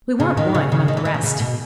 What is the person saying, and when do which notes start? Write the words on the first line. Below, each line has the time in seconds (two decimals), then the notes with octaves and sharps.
We want wine, among the rest.
0.20 C#3
0.37 D#3
0.55 C#3
0.72 C#3
0.88 D#3
0.97 E3
1.05 D#3
1.14 B2
1.23 C#3
1.40 B2